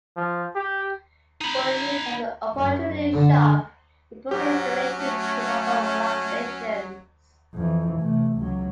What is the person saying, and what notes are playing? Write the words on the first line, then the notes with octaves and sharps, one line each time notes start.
Bunyip has an "opportunity shop", with proceeds donated to local organisations.
F3
G4
D#4 B5
F#2
D3
G#2 F#3 C#4 G4
A3
F2 E3
C3 A3
C#2 F#3